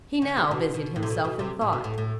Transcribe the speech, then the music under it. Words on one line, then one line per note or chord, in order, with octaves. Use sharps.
He now busied himself in thought.
D3
C3
B2
B2
A2
C3
B2
B2
C3
A2
B2
A2
A2